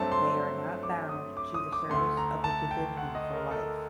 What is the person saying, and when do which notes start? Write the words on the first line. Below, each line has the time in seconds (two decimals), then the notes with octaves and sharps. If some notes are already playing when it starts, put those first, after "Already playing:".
They are not bound to the service of the divinity for life.
Already playing: G2 F#3 A3 C4 A5
0.12 C6
0.83 D6
1.09 D#6
1.37 D6
1.54 D#6
1.72 D6
1.90 D2 D3 A3 C6
2.17 A#5
2.44 A5
2.71 G5
2.97 F#5
3.15 D#5
3.33 A#4
3.51 A4